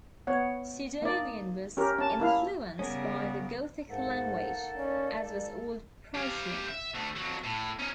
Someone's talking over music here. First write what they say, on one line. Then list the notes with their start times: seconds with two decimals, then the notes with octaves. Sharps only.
Sudovian was influenced by the Gothic language, as was Old Prussian.
0.27 B3 C#5 F#5
1.02 A#3 D#4 D5
1.77 C#4 G4 A#4
1.98 C#4 A5
2.20 A#3 E4 F5
2.79 C#3 G3 B3 C#4 G#4 A#4
3.90 G#2 A#3 D#4 A4 F#5
4.76 C#4 D5
5.25 G#3
6.15 G4 F5
6.69 E5
6.95 D2 A3
7.16 F2 F#3
7.44 A2
7.79 C#4 D#4